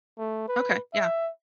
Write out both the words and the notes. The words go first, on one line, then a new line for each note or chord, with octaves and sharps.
Okay. Yeah.
A3
B4
E5